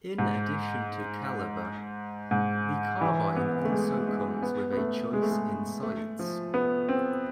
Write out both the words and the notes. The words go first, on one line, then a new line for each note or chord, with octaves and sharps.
In addition to caliber, the Carbine also comes with a choice in sights.
G#2
G#2
E3
B3
A3
G#3
G#3
B3
B3
A3
G#3
A3
G#3
A3
F3
B3
C4